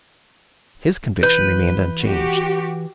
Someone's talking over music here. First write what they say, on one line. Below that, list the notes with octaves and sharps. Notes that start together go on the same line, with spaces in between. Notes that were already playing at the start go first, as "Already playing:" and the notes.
His conviction remained unchanged.
E3 B4 G6
F#4 G4